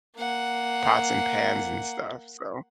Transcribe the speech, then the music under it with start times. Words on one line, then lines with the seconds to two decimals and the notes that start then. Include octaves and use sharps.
pots and pans and stuff, so
0.16 A#3 F#5